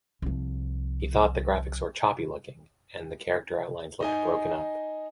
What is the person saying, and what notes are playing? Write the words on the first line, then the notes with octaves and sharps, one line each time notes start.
He thought the graphics were "choppy" looking, and the character outlines looked "broken up".
C2 F3
D#4 D#5 G#5